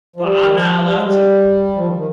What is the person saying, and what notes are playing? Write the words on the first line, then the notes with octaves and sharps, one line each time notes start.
But I'm not allowed to.
F3
G3
D#3
F3
G3
G#3
G3
F3
D#3
D#3